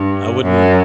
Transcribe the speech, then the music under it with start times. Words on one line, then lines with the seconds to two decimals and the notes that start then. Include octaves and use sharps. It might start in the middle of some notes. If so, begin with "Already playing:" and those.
I wouldn't
Already playing: G2
0.43 F#2